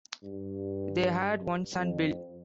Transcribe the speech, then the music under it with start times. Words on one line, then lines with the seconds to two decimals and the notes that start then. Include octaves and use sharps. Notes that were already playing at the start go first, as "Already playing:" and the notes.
They had one son, Bill.
0.23 G2
1.77 F2